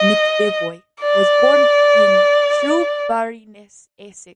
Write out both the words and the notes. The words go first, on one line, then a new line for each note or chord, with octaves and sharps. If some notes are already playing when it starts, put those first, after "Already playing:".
McEvoy was born in Shoeburyness, Essex.
Already playing: D#5
D5